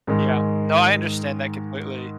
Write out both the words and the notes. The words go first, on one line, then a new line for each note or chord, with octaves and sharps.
Yeah, no, I understand that completely.
G#2 D#3 G#3